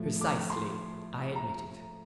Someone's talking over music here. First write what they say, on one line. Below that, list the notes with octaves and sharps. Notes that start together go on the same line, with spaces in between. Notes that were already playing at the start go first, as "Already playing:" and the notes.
"Precisely," I admitted.
Already playing: A2 F3
D6
C6
A#5